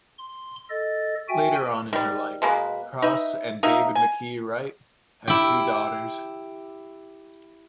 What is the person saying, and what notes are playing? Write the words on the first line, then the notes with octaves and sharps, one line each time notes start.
Later on in her life, Cross and David McKee Wright had two daughters.
C6
A4 D#5 A6
F#4 E5 G5 G#5
D#3 G3
B2 G#3 A#3 B4
D#4 B4 E5
A#3 D#4 E5
G#5
E4 G4